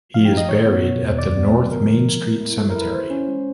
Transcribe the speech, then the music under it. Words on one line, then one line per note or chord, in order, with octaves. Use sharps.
He is buried at the North Main Street Cemetery.
F3 F5
G5
D#4
D#5
D#3 C#5
B3
B2
E2
D#3 D5
B3
F#3
D3 A#4
F3
B3
G#3
E4
F#3 A4
A#4
E4
B4
E3 C5
C#4
G#3